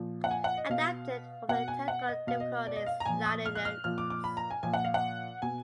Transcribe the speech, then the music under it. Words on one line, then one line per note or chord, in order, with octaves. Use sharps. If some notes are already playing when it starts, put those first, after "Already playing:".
Adapted from the "Technical Difficulties" liner notes.
Already playing: A#2 F3
F#5
G#5
F#5
D#5
B2 F5
B2 F#5
G#5
F#5
D#5
B2 F5
D#5
D5
D#5
F5
A#5
A#2 F3 G#5
D#6
F6
F#6
F6
A#2 F3 F6
D6
D6
B5
A#5
G#5
A#2 F3 G#5
F#5
F5
F#5
B2 G#5